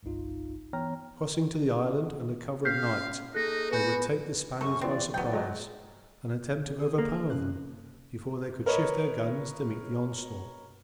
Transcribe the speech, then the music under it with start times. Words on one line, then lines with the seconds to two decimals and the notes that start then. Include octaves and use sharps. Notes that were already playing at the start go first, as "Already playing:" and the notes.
Crossing to the island under cover of night, they would take the Spaniards by surprise and attempt to overpower them before they could shift their guns to meet the onslaught.
0.03 G1 C2 G2 D#4 F4
0.73 E3 B3 C#5 G5 A#5 F6
2.65 A#3 C#4 F5 F6 G6 B6 C7
3.34 A#3 D#4 G#4 A4 F#6 A#6
3.71 B3 F#4 B4 G#5 G6
4.61 F#2 C#4 A4 C#6
4.81 E3 B3 C4 D5
5.14 B1 F#3 B3 D5 G5
5.33 F#3 G#3
6.79 G#4 D#6
6.98 A#3
7.30 C3 C#4 F#6
8.66 A#4 B4 C#5 D#5